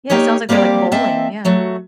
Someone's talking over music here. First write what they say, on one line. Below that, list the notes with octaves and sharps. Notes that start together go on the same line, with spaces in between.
Yeah, sounds like they're, like, bowling, yeah.
A#3 D#4 G4 C#5
G3 A#3 C4 G4 D5
A#3 C4 D#5 E5 A5
F#3 A3 F#4